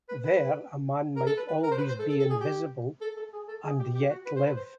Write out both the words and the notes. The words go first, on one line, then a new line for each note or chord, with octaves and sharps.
There a man might always be invisible — and yet live.
B4
B4
A#4
A4
B4
B4
A#4
C5
B4
C5
A4
A4
A4
G#4
G4
A4
A4
G#4
A4
G#4
G4
G4
F#4
B4
C5
B4
C5